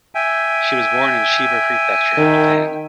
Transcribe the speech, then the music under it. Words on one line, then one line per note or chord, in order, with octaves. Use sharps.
She was born in Chiba Prefecture, Japan.
E5 G5 G#5
D#3